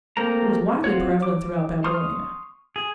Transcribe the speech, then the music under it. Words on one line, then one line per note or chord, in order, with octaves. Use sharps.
It was widely prevalent throughout Babylonia.
A3 A#3 C4 A#4 A#5
C4 F4 F#4 C#5
D6
C6 C#6 D#6 F6
G#4